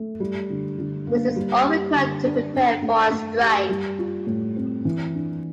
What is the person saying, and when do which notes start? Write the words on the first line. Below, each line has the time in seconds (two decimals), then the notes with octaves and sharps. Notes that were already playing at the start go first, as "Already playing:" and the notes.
This is all required to prepare for a strike.
Already playing: A3
0.20 G3
0.50 D3
0.78 D3
1.07 A#3
1.36 G3
1.65 G4
1.95 D3
2.24 D4
2.53 D4
2.82 A3
3.10 A3
3.40 G4
3.69 G3
3.98 F4
4.27 A2
4.56 C4
4.85 E3
5.14 D4